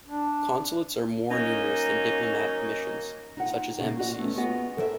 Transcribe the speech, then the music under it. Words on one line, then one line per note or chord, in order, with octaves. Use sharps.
Consulates are more numerous than diplomatic missions, such as embassies.
D4
F#3 A#3 C#4 D#4
D#4 F4 F#5
A#2 C#3 A#3
F4 F#4 D#5
A3 B3 C#4
B3 F4 F#4 G#4 D#5 F#5
A4 A#4 C5 D5 E5